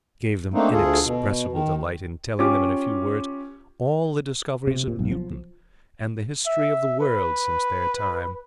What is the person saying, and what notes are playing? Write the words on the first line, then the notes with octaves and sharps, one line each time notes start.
I gave them inexpressible delight in telling them, in a few words, all the discoveries of Newton, and the history of the world since their time.
A3 A#3 C4 D4 D#4
D2 F4 G#4 A4
B2
D#3
C#4 F4 G4 D6
C3
A#2
B1
F3
E5
B4